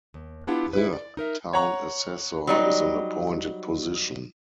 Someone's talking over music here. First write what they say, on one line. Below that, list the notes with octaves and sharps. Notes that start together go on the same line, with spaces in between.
The town assessor is an appointed position.
D#2
B3 D4 E4 F4 G4 F#5
E4 B4
D5
D#4 A#4 E5
C#5 F#5 A#5 C#6
F#3 G3 D#4